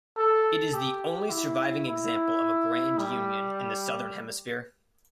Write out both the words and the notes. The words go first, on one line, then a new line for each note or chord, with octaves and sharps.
It is the only surviving example of a grand union in the southern hemisphere.
A4
G4
E4
E4
G3